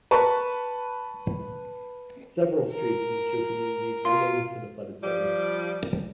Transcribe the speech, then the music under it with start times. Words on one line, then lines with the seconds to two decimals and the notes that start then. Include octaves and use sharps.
Several streets in the two communities are named for the flooded settlements.
0.11 B4 A5 C#6
2.72 A#4
4.05 F4 C6
5.03 F3 G3